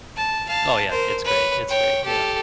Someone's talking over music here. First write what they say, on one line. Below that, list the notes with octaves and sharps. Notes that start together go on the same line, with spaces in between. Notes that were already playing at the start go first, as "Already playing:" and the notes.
Oh, yeah, it's great, it's great, yeah.
A5
F5 A5
A#4 C5
B4 C#5
C#5 G5
G4 A4